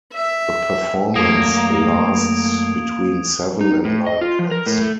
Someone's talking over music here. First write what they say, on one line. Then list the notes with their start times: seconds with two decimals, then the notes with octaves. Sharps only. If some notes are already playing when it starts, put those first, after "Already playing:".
A performance lasts between seven and nine minutes.
0.12 E5
1.16 F#2 A3 A#3 A4 D#6 G#6 D7
3.61 D#4
3.85 A2
4.07 D#5
4.21 F4
4.39 F3
4.51 A#4
4.66 A2
4.81 A3